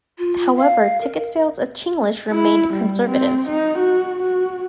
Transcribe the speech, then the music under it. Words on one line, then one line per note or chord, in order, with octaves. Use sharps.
However, ticket sales of "Chinglish" remained conservative.
F4
F5
A#4
E4
G3
C4
D#4
F#4
F#4